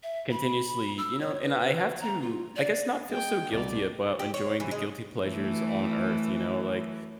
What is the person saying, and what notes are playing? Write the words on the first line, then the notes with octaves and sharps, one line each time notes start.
continuously, you know and I have to, I guess, not feel so guilty about enjoying the guilty pleasures on Earth, you know, like,
E5
B5
E6
C#5
B4
A#5
F4
D5
G#3 G#4 G5
C2 B2 D5 F7
G4
C#5
E3
G#3
E3 A3